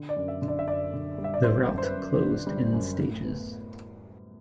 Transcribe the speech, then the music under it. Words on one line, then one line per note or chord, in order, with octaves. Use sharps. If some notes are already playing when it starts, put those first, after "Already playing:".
The route closed in stages.
Already playing: D3
D5
F#2
E5
D3
D5
E5
F#2 D5
D3
G3
E5
D5
G3 C5
F#2
C5
B4
F#2
D3
G3
F#2
A2
B3